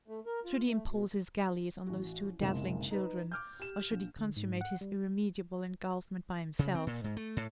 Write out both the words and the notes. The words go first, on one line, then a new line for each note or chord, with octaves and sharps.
Should he impose his galleys on those two dazzling children, or should he consummate his irremediable engulfment by himself?
A3
A#4
F4
A3
B2
A1 F#4
F#1 B1 C3 G#3 E7
D#4 B4
D6 F6 G6
G4 E7
A#1
D3
G#2
F#5
G3
C#3
C4
A#2
G#2
A3
A2